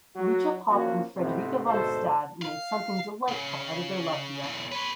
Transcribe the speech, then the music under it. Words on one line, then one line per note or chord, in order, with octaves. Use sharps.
Lucia Popp and Frederica von Stade made something "delightful" out of their love duet.
F#3 F#4
F3 A#3 C#4 F#4
G#2 C3 A3 B3 C4
D2 G#2 B2 A4 C5
F5
C#3
B1 E2
B4 C#5